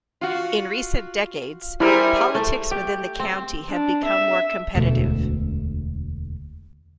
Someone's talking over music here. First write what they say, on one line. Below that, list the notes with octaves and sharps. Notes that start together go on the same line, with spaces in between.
In recent decades, politics within the county have become more competitive.
F4 F#4
G3 E4 G#4 A#4 C5
A3
G4
C4
D4
E5
E1 D2 B2 A3